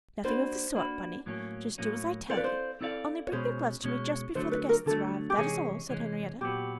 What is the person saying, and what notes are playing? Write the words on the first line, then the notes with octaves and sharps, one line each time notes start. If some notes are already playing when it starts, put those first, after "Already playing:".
"Nothing of the sort, Bunny; just do as I tell you--only bring your gloves to me just before the guests arrive, that is all," said Henriette.
A#3 D4 F#4 B4 C5
A#3 D4 F#4 B4
A2 F#3 A#3 C#4
A2 F#3 A#3 C#4
C4 E4 A4 C5 D5 F5
B4
C5
C4 E4 A4 D5 F5
C#5
B2 G#3 C#4 C5
B2 G#3 C#4
D3 F#3 A3 C5
B4
A#4
D3 F#3 A3 A4
G4
C3 E3 G#3 C#4 G#4
C3 E3 G#3 C#4
A#2 F#3 B3 G4